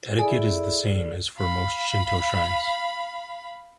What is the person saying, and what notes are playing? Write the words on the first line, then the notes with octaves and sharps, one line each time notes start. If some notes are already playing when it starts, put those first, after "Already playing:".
Etiquette is the same as for most Shinto shrines.
E4 G#4 A4 D5
F5 B5